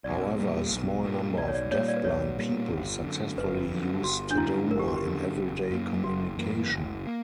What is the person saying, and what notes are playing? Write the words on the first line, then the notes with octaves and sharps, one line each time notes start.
However, a small number of deafblind people successfully use Tadoma in everyday communication.
B1 D5
A#2 G3 A#3
B1
A#2 G3 A#3
B1 D5
C#5
D5
A#2 G3 A#3 C#5
D5
B4
B1 C#5
A#2 G3 A#3
G1
F#2 D3
G1 B4
F#2 D3
G1 F#4
D4
F#2 D3 E4
G1 A#4
G4
F#4
G4
F#2 D3
F#1
F#2 E3 A#3
F#1 F#4
F#2 E3 A#3
F#1
E3 A#3